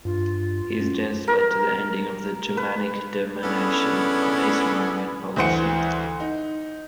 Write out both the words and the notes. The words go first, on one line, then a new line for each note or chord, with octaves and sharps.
His death led to the ending of the Germanic domination of Eastern Roman policy.
G2 F4
F#2
A#4
B4
B3 C#4 D4 E4 G#4 A4
D2 E3 C5 F#5 C#7
D#4